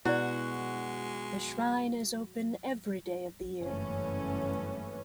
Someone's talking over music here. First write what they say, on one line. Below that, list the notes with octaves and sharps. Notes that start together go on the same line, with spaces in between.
The shrine is open every day of the year.
B2 G#3 E4 F#4 D5
F#1 G2 E3 A3 B3 C#4